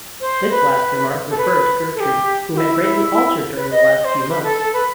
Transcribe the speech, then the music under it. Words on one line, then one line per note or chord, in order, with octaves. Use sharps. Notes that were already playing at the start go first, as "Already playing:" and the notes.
This last remark referred to Gertrude, who had greatly altered during the last few months.
C5
B4
A4
B4
A4
G4
G4
E4
E4
E4
B4
D#5
D#5
C5
B4
A4
A4
B4